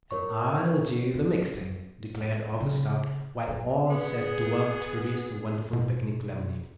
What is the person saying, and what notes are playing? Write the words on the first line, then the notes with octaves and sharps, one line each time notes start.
"And I'll do the mixing," declared August Stout, while all set to work to produce the wonderful picnic lemonade.
A#4 C#5 C#6
D#4
F#3
C#3
G2
B3 G#4
B2